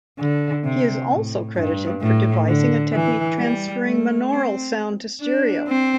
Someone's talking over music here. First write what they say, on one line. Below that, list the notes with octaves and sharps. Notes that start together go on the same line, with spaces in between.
He is also credited for devising a technique transferring monaural sound to stereo.
D3
C3
A2
G2
A2
D3
E3
G3
A3
C4
D4
C4